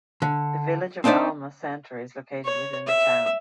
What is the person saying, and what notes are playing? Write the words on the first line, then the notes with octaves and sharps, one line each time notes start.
The Village of Alma Center is located within the town.
D3
C4 D4 D#4 C5 D5 E5
C#5
E5